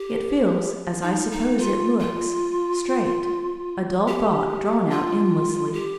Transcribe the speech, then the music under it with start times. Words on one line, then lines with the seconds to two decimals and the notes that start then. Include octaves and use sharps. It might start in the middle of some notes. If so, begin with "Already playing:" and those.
It feels, as I suppose it looks, straight--a dull thought drawn out endlessly.
Already playing: G4
1.02 D#4
1.31 D#4
1.58 F4
1.99 F4
4.07 G4
4.90 F4
5.73 G4